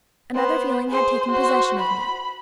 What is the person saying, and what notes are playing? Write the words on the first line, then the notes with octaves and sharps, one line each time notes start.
Another feeling had taken possession of me.
B3 C5
G#4 C5
F#4 C5
B5